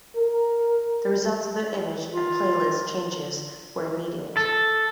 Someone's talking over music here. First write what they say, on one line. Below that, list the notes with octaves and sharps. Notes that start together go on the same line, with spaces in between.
The results of the image and playlist changes were immediate.
A#4
F4
A4